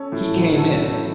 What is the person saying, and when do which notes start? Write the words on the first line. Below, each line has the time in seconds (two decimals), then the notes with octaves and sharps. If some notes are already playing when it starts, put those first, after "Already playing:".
He came in.
Already playing: C#4 A4
0.12 A2
0.35 F#3
0.58 A4
0.80 C#4